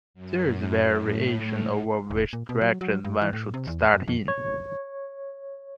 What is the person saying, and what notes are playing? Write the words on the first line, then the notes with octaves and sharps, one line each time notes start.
There is variation over which direction one should start in.
F#2
A2
E1
A#2
B2
F#3
F#3
G2
E3
A2
C3
E2
F#2
F2
C#5